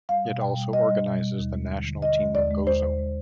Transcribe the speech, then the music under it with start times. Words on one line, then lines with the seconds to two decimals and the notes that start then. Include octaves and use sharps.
It also organises the national team of Gozo.
0.09 G3 F5
0.25 B2
0.41 B2 G5
0.57 G3
0.73 G3 D#5
0.89 G3
1.06 B2
1.22 G3
1.38 D#2
1.54 G#3
1.71 D3
1.86 D3
2.02 D#2 D#5
2.19 G#3
2.34 D#2 D5
2.51 G#3
2.67 D#2 C5
2.83 D#2
2.99 G#3